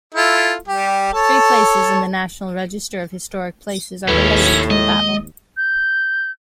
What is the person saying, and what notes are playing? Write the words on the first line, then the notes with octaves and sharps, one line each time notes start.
Three places in the National Register of Historic Places are related to the battle.
E4 F4 A4
G3 G4
A4 C#5 A5
D#2 A2 C#4 E4 B4
G#3 D#5
G6